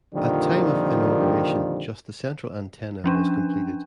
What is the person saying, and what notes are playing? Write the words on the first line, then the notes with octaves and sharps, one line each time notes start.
At time of inauguration just the central antenna was completed.
F2 A#2 D3 D#3 F3 G3
F3 C#4 D4